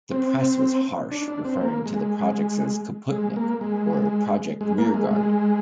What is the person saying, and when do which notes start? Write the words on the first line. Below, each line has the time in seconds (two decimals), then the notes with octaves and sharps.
The press was harsh, referring to the project as "Kaputnik" or "Project Rearguard".
0.11 C4
1.11 D4
1.28 D4
1.45 C4
1.61 A#3
1.86 G#3
3.11 G#3
3.36 A#3
3.61 G#3
4.61 G#3
4.78 A#3
4.94 G#3
5.11 G#3